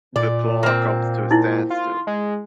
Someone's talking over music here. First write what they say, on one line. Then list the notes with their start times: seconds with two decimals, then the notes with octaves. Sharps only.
The plough comes to a standstill.
0.16 A#2 D5
0.63 A#3 C4
1.31 D#4 E4
1.70 F4
2.07 G#3